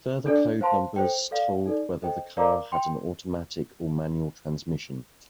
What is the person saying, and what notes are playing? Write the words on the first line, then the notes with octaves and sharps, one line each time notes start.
Further code numbers told whether the car had an automatic or manual transmission.
D4 A4 D5
C5 F5 A5 C6
A4 C5 G5
A4 D5 F5
D#4 A4 D5
A4 C5 D#5 G5
A#4 D5 F5 A#5 D6
G5 C6